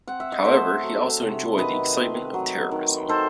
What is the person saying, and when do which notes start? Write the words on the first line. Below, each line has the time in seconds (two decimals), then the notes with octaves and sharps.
However, he also enjoyed the excitement of terrorism.
0.08 C4 F#5
0.20 E5
0.32 D#5
0.44 A3 C5 E5
0.83 F#3
1.21 C3
1.58 D#3 B4 D#5
1.96 C4
2.34 F#3
2.71 D#3
3.08 D#3 A4 C5